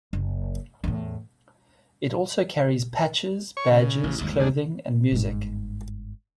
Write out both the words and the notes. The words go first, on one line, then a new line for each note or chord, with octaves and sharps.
It also carries patches, badges, clothing and music.
F#1
E2 A2
C#5 C#6
C#3
A1
G1 D#2 G#3
D4 G#4
G1 G#2